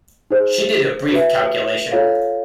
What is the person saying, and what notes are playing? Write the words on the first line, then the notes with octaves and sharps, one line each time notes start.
She did a brief calculation.
D#4 G#4 C5
F#4 B4 E5
F4 A4 C#5 F5